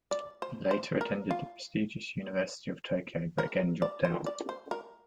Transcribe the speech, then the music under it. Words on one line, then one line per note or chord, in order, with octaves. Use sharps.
He later attended the prestigious University of Tokyo, but again dropped out.
D5
C5
C5
A#4
F4
A#4
D5
C5
D5
C5
A#4